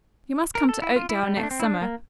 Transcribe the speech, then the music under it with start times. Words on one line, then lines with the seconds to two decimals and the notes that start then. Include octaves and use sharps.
You must come to Oakdale next summer.
0.55 A#4
0.69 A4
0.82 E4
0.96 F4
1.10 E4
1.23 G3
1.37 A3
1.43 D4
1.51 C4
1.60 E4
1.64 D4
1.82 A#3